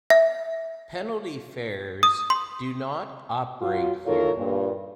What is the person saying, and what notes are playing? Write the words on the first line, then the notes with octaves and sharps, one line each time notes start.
Penalty Fares do not operate here.
E5
D#6
C6
F#3 F4 F#4
E2 D#3 F4 A4 A#4 C#5
G2 A#2